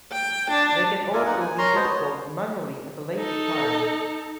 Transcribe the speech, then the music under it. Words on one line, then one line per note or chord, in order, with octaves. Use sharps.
They can also be installed manually at a later time.
G5
D4
F4 A#4 D5 E5 G#5
A#3 B3 D#4 A#4 F#5
G#5
A#4 C#5 A#5 C6
F#4 B4 C5 D#5 A5
C#5
D#4 A4